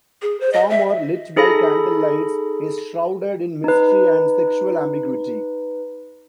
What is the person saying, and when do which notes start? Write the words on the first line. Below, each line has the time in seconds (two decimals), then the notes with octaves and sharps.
Farmer, lit by candlelights, is shrouded in mystery and sexual ambiguity.
0.22 G#4
0.40 C5
0.53 D#5
0.70 E5
1.36 D#4 G#4 A4 B5 A#6
3.64 D#4 B4